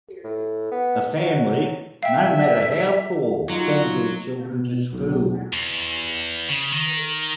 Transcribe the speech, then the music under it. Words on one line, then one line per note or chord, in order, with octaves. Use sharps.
A family no matter how poor, sends their children to school.
A2
B3
F#3
E5 F5 G5
F#3 D#4 F4
B2
B1
E2
C#3
D#3